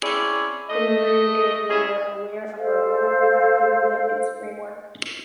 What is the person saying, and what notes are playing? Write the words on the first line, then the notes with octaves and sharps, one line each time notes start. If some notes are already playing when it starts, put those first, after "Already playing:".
From the very beginning, we were aware of our role and acted within its framework.
C4 C#4 E4 G#4 D5
A3 D#5
C#4 E4 G#4
A4 C5 F5